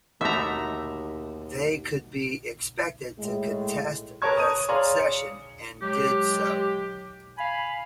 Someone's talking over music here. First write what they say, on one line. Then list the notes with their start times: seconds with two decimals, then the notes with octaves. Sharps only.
They could be expected to contest the succession, and did so.
0.21 D#2 B2 D3 A3 E5 A#5
3.19 A2 G#3
4.22 A#4 B4 C#5 A5 C#6 G#6
4.37 D#6 D#7
4.68 G#4 C#5 D5 F5 A#5 C6
5.00 C#7
5.82 F#3 G#3 G4
7.38 F5 G#5 B5